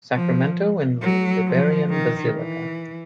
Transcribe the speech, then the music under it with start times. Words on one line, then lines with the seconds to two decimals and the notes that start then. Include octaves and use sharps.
Sacramento in the Liberian basilica.
0.13 F3
1.01 F#3
1.46 F3
1.90 D#3
2.34 E3